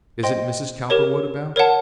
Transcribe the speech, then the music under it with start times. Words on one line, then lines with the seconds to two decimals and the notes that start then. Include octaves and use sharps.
"Isn't Mrs. Cowperwood about?"
0.23 C5 D#5 G5 C6
0.90 G4 A#4 C#5
1.56 A#4 C#5 F#5 A5